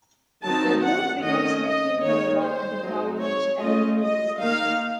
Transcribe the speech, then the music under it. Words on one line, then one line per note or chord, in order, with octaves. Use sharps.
The route becomes Neptune Boulevard at the Talmadge Avenue intersection.
D#3 F#3 C4 D#4 A5
F#5
D#3 A3 C#4 D#5
D#5
D#3 A#3 D#4 C#5
C5
F#3 C4 D#4
C#5
A3 C#4 F4 D#5
D#5
D#3 A#3 D#4 F5